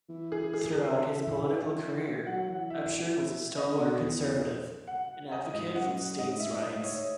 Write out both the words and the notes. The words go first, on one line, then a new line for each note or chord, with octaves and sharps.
Throughout his political career, Upshur was a stalwart conservative and advocate for states' rights.
E3
G#4
G#4
G#4
C#3 A4
E3 E5
F#3 F#5
E3 F#5
E5
C#3 D#5
B2
E2
F#5
D#5
G#2 D#5
F#2 F#5
G#2 D#5
A2
G#2 E5
A2 D#5
A2
G#2 C#5